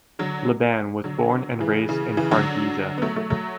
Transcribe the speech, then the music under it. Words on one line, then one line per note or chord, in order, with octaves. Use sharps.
Liban was born and raised in Hargeisa.
D3 F#3
D3 F#3
C#3 E3
C#3 E3
C#3 E3
D3 F#3
B3
F#3 A3
F#3 A3
F#3 A3